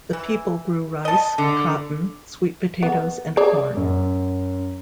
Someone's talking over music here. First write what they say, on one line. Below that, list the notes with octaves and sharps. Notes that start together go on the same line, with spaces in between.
The people grew rice, cotton, sweet potatoes and corn.
E3
D#5 A5
D3
B3
G#4 C#5 D5
F#2